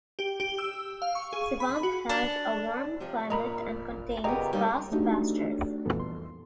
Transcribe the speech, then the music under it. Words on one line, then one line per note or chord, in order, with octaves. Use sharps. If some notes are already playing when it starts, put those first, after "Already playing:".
Sivand has a warm climate and contains vast pastures.
G4
G4
E6
F5
C#6
G#4
B5
F#4
D4
C3 F3
A#2 D#5 A#5 B5
A#2 C#3 G#3 B3 G4 D#5 A#5
D#2 G3 A#3 D#4
A3 D4 D#4 F#4 G4 A4
C2 F2 A#2 E3 B3 A4
C6